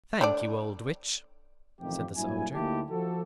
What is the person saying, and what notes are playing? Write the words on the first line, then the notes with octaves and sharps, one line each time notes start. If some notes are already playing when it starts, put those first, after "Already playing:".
"Thank you, old witch," said the soldier.
A3 D4 D5
A1 F2 C3 D#3 G4
G2 A#2 F#3 E4 G#5
D2 A#3 D#4 E4 G4 A5
F3 F#4 A4